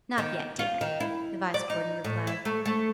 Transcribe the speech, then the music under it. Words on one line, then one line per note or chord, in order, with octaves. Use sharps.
"Not yet, dear," the Vice-Warden replied.
D#3
F4
D#3
E4
D5
D#4
A2
E4
A3
A3